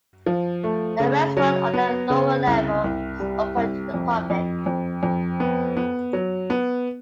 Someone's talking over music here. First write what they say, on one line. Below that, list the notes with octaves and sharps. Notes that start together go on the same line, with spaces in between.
A restaurant on the lower level is open to the public.
F3
A3
C#3
F#3
B3
C#3
C2
C2
G3
C2
F2
F2
F2
F2
B3
B3
F#3
B3